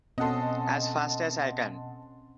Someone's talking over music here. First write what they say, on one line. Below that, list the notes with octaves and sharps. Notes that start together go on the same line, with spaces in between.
As fast as I can!
B2 C4 C#4 A4 D#5 F#5 C6